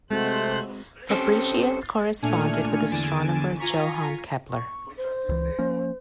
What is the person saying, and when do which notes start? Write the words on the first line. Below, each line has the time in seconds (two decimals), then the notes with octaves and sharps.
Fabricius corresponded with astronomer Johannes Kepler.
0.11 C3 G#3 A3 C4 F#4 C5 F#6
1.10 C4 C#4 G4 A4 C5
2.22 A#2 A3 D4 G#5 F6 C#7
2.90 E2 D3 G#5 A6 D7 E7
3.59 F4 G#5 A#5 C#6 B6
4.50 C#6
4.97 C5
5.29 C#2 E3
5.59 F3 A#3 C#4